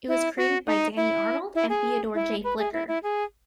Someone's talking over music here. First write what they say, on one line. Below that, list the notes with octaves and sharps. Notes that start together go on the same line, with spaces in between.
It was created by Danny Arnold and Theodore J. Flicker.
E4
F#4
D#4
E4
E4
G#4
E4
B4
G#4
E4
E4
G#4